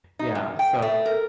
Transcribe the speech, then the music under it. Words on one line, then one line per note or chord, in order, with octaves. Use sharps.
Yeah. So,
D#4
F#2
G5
A3
A#4